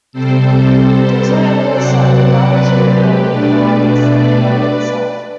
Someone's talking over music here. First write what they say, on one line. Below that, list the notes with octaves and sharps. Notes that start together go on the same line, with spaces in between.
There is no evidence that being out-of-tune permanently harms the piano itself.
C3 G3 C4 A4 C5
C3 F#3 C4 D5 F#5
B4 D5
G4 B4
B2 A3 D4 B4 D5